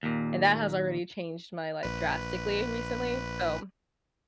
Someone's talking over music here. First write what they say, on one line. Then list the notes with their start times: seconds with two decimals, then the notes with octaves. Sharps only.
and that has already changed my life drastically recently. So,
0.03 D#2 A#2
1.83 A#1 B4